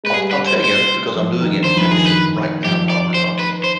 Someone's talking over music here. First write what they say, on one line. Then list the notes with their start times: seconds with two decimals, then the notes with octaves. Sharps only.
I'll I'll tell ya, because I'm doing it, actually right now while we're talking,
0.04 G#3 B4
0.14 G3 G#4
0.31 B4
0.47 C5
0.64 C5
1.15 F3
1.40 D#3
1.52 D3
1.64 D#3 C5
1.75 F3 B4
1.85 D#3
1.91 G#4
2.06 B4
2.65 F3 G4
2.90 D5
3.14 C5
3.39 B4
3.64 C5